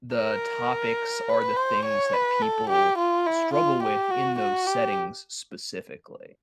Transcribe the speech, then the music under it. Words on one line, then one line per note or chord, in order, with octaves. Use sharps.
the topics are the things that people struggle with in those settings specifically.
A#4
B4
C5
C#5
B4
A4
G4
F4
E4
F4
G4
F#4
F#4
G4